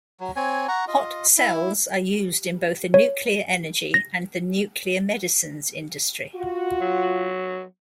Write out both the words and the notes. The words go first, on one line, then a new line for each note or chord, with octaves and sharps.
Hot cells are used in both the nuclear-energy and the nuclear-medicines industries.
F#3
C4 C#5 G#5
F#5 A#5 C#6
F4 D#5
E4
C#5
A#6
F4 F#4
F#3